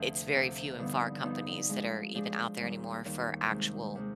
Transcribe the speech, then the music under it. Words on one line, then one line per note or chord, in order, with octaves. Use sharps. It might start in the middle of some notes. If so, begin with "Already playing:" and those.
It's very few and far companies that are even out there anymore for actual
Already playing: D2 C3 F3
D2 C3 F3
G2 D3 F3 B3 D#4
G2 D3 F3 B3 D#4
F3 G#3 D4
F3 G#3 D4
D#2 D#3 G3
D#2 D#3 G3
C3 D#3 G#3
C3 D#3 G#3